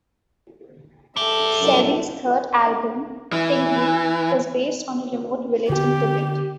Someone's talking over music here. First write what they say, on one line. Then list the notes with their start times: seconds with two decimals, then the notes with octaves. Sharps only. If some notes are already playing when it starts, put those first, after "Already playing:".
Serrie's third album, "Tingri", was based on a remote village in Tibet.
1.17 D4 G4 A4 E5
1.61 C2 F#2
3.32 E3
5.69 D3 B3 G4